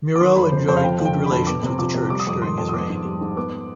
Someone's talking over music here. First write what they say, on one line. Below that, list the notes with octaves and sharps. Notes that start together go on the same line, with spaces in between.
Miro enjoyed good relations with the Church during his reign.
D6
D#3 C6
F2 B5
C3 C5
F2 C5
F5
F3 G5
F2
G5
D3
B5
F2
B3 D6
C3
F3 D6
C3
G3 D6
D#6
F2 D6
D#3 C6
F2
D#6
B3 D6
G#2
G3
G#2
B3 D6